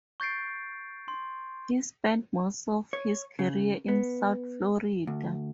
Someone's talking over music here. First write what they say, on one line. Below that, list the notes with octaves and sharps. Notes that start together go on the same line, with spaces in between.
He spent most of his career in South Florida.
C#6 G6 A6 C7 D7
C6
C#5
C#3
B3
D2